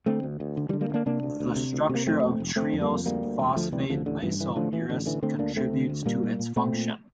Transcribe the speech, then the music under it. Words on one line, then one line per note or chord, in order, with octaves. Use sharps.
The structure of triose phosphate isomerase contributes to its function.
D3 A3 C4
D2
D2
D3
E3 G3
D3
G3 A#3
D2
A#3 D4
C3 A#3 D4
D2
D2
C3
D2
C3
A#3
F2 A3 C4
F1
F1
F1 A3 C4
F2
G3 A#3
F2
D2 G3 A#3
D2
E1
D2 F3 A3
C3 E3 G3
D2 D3 F3
A1 D3
G2 E3
D3 E3
A1 D3 F3
A1 E3
A1 D3
D3 E3
D3 A3 C4
D2 A#3 D4
D3 A3 C4
D3
D2
A#2 G3 A#3
A#2
A#2
A#2 A3 C4
A#2